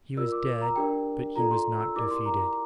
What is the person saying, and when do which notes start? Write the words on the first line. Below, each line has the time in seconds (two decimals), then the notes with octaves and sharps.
He was dead, but he was not defeated.
0.17 F4 A#4 D5 E6
0.32 D6
0.61 A#5
0.76 D4 G4 A#4 D5 G5
1.36 F4 A4 D5 A#5
1.51 C6
1.80 E6
1.96 E4 G4 A#4 D5 D6
2.11 C6
2.26 A#5